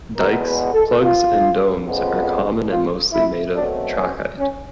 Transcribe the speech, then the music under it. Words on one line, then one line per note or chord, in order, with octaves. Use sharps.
Dykes, plugs and domes are common and mostly made from trachyte.
E2 B2 G#3 B3 A#4
B4
A4
F4
F2 C#3 F3 G#3 B3
F4
E4
B2 F#3 A3 C4 D4
C#4
C#4